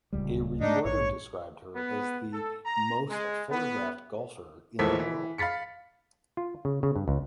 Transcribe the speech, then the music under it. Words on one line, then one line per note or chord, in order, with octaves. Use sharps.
A reporter described her as the "most photographed golfer in the world".
D1 C#2 G3
G#2 G3 A3 D4 D#4
A#1 G#2 C#5
B3
A4
A#5
G#3
B3
D#2 G#2 E3 F3 A4 B6
E3
F5 B5 A6 B6 C#7
F4
C#3
C#3
G2
C#2